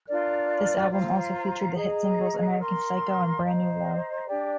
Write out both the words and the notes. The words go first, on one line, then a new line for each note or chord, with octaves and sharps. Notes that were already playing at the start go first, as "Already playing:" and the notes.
This album also featured the hit singles "American Psycho" and "Brand New Low".
D4 F4 A#4 D5
F4 C5 F5 A#5
G#4 D#5 A#5
A#4 F5 C6
C5 D#5 A#5
D4 G4 D5